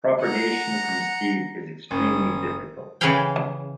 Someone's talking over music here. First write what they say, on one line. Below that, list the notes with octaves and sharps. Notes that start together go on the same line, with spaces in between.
Propagation from seed is extremely difficult.
F#5 A#5
F#1 C#4 D#6
C#3 E3 G#4 B4 F5 G5